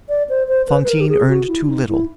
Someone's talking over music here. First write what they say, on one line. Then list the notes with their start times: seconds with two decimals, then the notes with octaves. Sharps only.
Fantine earned too little.
0.09 D5
0.29 C5
0.48 C5
0.68 B4
0.84 B4
0.89 A#4
1.01 G4
1.09 G#4
1.29 F#4
1.48 E4
1.68 D#4
1.88 E4